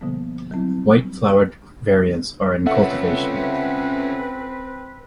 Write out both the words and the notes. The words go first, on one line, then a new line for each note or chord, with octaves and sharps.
White-flowered variants are in cultivation.
B2 D3 F3 G3 A#3 B3
F#3 G3 C4 E4
C4 C#4 F4 A4 B4 E5 F#5